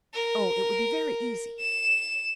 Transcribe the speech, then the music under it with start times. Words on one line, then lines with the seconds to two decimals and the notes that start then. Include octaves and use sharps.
"Oh, it would be very easy!"
0.14 A#4
1.60 E7